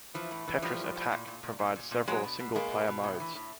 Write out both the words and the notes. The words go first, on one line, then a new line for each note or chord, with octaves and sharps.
"Tetris Attack" provides several single-player modes.
E3 F3
A2
E3
A2 F3 G3
A2
A2
A#2
A#2
A#2
A#2
A#2
A#2
B2 F#3 G#3
B2
B2
B2 G#3 A#3
B2
B2
A2
E3
A2